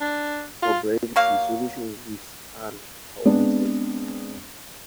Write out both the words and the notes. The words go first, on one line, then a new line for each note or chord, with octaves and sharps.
For brevity, solutions with and are omitted.
D4
F4
F#3 A#3 F5
G#3 B3 C4 D4